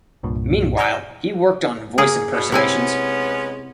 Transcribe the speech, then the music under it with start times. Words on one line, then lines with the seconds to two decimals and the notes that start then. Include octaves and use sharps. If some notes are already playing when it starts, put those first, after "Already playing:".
Meanwhile, he worked on voice impersonations.
0.23 C2 G2 A#2
0.77 D5 G#5 A#5 E6 F6 G6
1.98 A#3 G#4 A#4
2.33 B2
2.52 C3 G#3 B3 C#4 E4 G#5